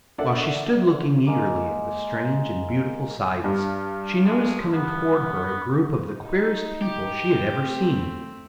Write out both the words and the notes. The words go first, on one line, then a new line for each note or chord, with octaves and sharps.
While she stood looking eagerly at the strange and beautiful sights, she noticed coming toward her a group of the queerest people she had ever seen.
A#3 D4 A4 D5 E5 F#5
G#3 A#3
G2
G#3
B3
D#4
G4
A3 C4